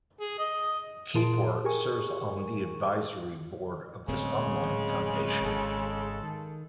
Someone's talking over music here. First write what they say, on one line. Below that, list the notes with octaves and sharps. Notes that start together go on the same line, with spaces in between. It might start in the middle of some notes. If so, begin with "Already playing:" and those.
Kapor serves on the advisory board of the Sunlight Foundation.
G#4
D#5
A#2 G#4 A#4 A5 C6 D7
G4 G#4 A#4 G#5 C#6
D1 C#3 G#3 C4
G#1 A4
D#3